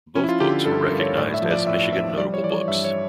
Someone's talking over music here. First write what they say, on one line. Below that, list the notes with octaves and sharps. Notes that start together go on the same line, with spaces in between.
Both books were recognized as Michigan Notable Books.
F3 C#4
E4
F4
D3 G4
G4
G2 A4
A#4
G2
C#5
A2 D5
E5
F3
D5
A2 E5
F3 E5
G3 D5
C#5
E3 D5
C#5
G2 E5
C#5